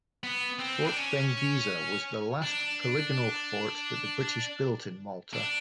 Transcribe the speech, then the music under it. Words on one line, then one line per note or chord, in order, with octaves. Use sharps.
Fort Benghisa was the last polygonal fort that the British built in Malta.
B3
C4
D4
C#4
D4
D4